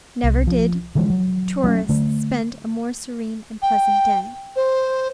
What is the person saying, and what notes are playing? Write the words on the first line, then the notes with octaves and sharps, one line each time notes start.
Never did tourists spend a more serene and pleasant day.
C2
F3
D3 E3 F3 G#3
F#3
F#3 A3 C#4
D3 A3
G5
C5